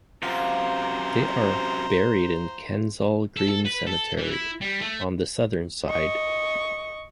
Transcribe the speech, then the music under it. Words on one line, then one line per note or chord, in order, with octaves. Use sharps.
They are buried in Kensal Green Cemetery, on the southern side.
F#2 C3 F4 C5 A#5
A4
A4
B4
A4
E3
E4
G3
A3
D#5 C#6